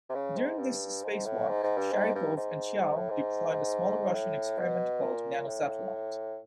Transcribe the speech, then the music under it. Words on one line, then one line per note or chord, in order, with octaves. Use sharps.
During this spacewalk, Sharipov and Chiao deployed a small Russian experiment called Nanosatellite.
C3
C#3
G#2
G2
G#2
A2
G#2
G#2
G2
G#2
G2
G#2
G#2
A2
G#2
A2
B2
A#2
A2